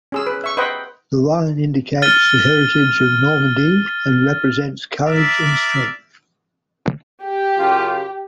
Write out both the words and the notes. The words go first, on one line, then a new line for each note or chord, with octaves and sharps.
The lion indicates the heritage of Normandy and represents courage and strength.
C#4 G#4 E6
B4
E5 C#6
B4 C5 D#5 F#5 G5 B5
F6 A6 D#7 G7
A#4 D5 E5
G4
F#2 C#3 F4